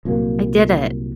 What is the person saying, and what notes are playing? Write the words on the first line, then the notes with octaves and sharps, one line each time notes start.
I did it.
C2 A#2 F#3 A#3